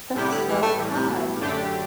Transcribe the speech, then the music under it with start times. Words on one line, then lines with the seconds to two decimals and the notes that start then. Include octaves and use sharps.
That's so odd.
0.16 A2 C3 G3 B3 E4 G4
0.31 D3
0.48 E3
0.62 A3
0.78 A2 E3 G3
0.94 C3
1.09 B2
1.36 G2
1.41 F#2 A2 D3 A3 D4 G4